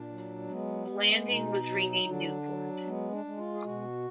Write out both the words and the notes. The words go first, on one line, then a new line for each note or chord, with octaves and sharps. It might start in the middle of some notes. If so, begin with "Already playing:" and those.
The landing was renamed "Newport".
Already playing: A#2 D4
F#3
G#3 B3
G#3
B2 D#4
F#3
D3 D4
F#3
G#3 B3
D4
G#3
F4
G#4
B2 F#4